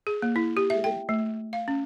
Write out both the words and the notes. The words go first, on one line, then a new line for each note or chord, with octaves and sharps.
we would
G#4
A#3
E4
G4
E5
G5
A3
F5
C#4